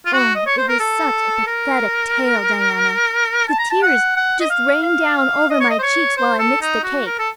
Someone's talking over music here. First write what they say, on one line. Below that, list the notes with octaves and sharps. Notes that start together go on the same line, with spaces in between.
Oh, it was such a pathetic tale, Diana. The tears just rained down over my cheeks while I mixed the cake.
F4
F#4
D#5
C#5
C5
A#4
A4
A#4
A5
A#5
A5
F#5
F#5
D#5
F5
F5
D#5
C#5
D#5
C5
C#5
C5
A4
D#4
F#4
A#4
A4